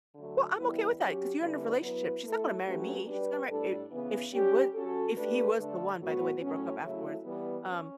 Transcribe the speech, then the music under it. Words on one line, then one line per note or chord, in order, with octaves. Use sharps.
Well, I'm okay with that, ‘cause you're in a relationship. She's not gonna marry me. She's gonna marry i if she would, if he was the one- by the way, they broke up afterwards, um
D3 F#3 A3
E3 G3 B3 E4
F#3 C#4 G4
D3 G3 C#4 E4 B4
F#3 B3 E4 B4
A3 E4 A4
F#3 A3 C#4 G4 B4
G3 D4 G4 B4
A2 G3 D4 A4
C#3 E3 B3
G3 C#4 G4
F#3 C#4 F#4 A4
A3 D4 G4 B4
D3 A3 D4 A4
A2 F#3 B3 F#4
A2 F#3 C#4
C#3 F#3 A3 E4
E3 G3 B3
C#4